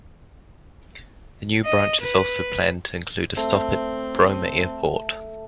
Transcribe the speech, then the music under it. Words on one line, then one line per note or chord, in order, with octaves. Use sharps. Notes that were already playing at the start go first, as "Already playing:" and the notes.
The new branch is also planned to include a stop at Bromma Airport.
D#5
B4
A3 C4